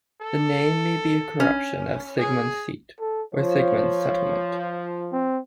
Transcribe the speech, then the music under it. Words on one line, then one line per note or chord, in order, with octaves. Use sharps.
The name may be a corruption of "Sigemund's seat" or "Sigemund's settlement".
A4
C#4
G#4
A4
F3 C#5
C4